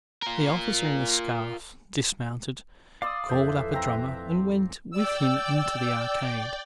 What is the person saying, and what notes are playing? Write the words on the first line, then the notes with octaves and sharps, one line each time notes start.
The officer in the scarf dismounted, called up a drummer, and went with him into the arcade.
F4 A#4
D5 F5 C6 D#6 E6
A1 F2 A4 B4 C5 E5
C4 A#5
D5 G5 E6